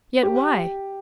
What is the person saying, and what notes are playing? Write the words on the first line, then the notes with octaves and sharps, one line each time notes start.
Yet why?
G4